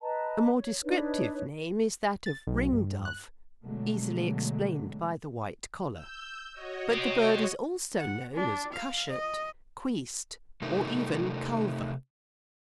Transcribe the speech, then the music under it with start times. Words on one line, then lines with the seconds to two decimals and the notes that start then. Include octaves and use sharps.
A more descriptive name is that of ringdove, easily explained by the white collar, but the bird is also known as cushat, queest, or even culver.
0.01 B4 D#5 A5 A#5
0.54 C#5
0.84 D4 D#4 B4 C#5
2.26 A6
2.47 B1
2.72 G2
3.05 F#6
3.64 B2 D3 F#3 G#3 A3
5.93 E6 G6
6.53 F#4 C#5 D#5
6.92 C4 G4
7.99 F#5
8.34 D4
8.73 F5
9.10 D#5
10.62 C3 A3 D#4 G4 A#4